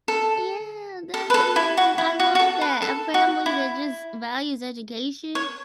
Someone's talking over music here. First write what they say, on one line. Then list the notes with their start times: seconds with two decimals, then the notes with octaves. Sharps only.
Yeah, that's amazing. I love that, a family that just values education.
0.08 A4
1.14 A4
1.30 B4
1.34 A4
1.56 E4
1.77 F#4
1.98 E4
2.20 F#4
2.35 F#4
2.39 A4
2.61 B4
2.82 A4
3.14 F#4
3.46 E4
5.35 C#5